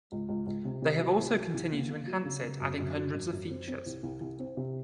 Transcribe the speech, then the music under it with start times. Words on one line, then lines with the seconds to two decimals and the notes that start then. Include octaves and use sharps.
They have also continued to enhance it, adding hundreds of features.
0.12 C#2
0.29 C#2
0.47 C#2
0.65 C3
0.82 C3
1.00 F#3
1.18 C2
1.36 F#3
1.54 C2
1.72 A#3
1.89 A#3
2.07 F#3
2.25 C#3
2.43 C#3
2.60 F#2
2.79 F#2
2.97 F#3
3.14 F#2
3.32 F#2
3.50 C4
3.68 C4
3.86 C2
4.03 C2
4.21 C2
4.39 C4
4.57 C3